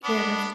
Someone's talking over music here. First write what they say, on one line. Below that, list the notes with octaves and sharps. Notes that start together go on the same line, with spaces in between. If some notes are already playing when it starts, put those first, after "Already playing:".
Yeah, that's
B3 D4